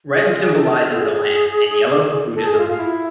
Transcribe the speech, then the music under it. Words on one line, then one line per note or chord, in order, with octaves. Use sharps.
Red symbolises the land and yellow, Buddhism.
G#4
F4
G#4
A4
F4
G#4
A4
G#4
F4
F4
E4